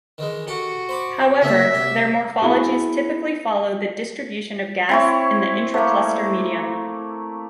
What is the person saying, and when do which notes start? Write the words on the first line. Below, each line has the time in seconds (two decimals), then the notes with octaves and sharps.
However, their morphologies typically follow the distribution of gas in the intra-cluster medium.
0.18 D#3 E3 G#3
0.48 F#4 G4 A4
0.89 C5 B5 D6
1.42 C#2 A3 A#3 E5
1.74 C2 G4
2.42 B3 E4 F#4 G#4
4.89 C4 E4 C#5
5.74 A3 A#3